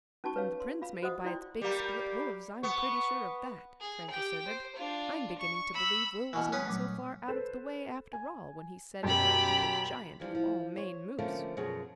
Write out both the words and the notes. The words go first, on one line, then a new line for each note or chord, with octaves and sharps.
"From the prints made by its big split hoofs, I'm pretty sure of that," Frank asserted; "I'm beginning to believe Will was not so far out of the way, after all, when he said it might be the giant of all Maine moose!"
C#4 D#4 F#4 A5 C#6
B4 C#5 F5
C6
F4 F5 B5
F#4 C5 D#5 F#5 D#6
E4 F4 D5 G5 C6
G3 A#3 G4
B3 C#6
G#4
G4 G5
C5
D4 F4
C#6
B5 E6
B2 E3 G#5 C#6 F6
G3 C#4 B4 D#6
A#2 F#3 A3
A4 B4 C5
G#5
F#2 B2 G4 B5
E3 F3 G3 D4
F3
C5 C#5
D3 F3 A3 A#3 C#4
F#2 B2 F3 F#4 G#4 C#5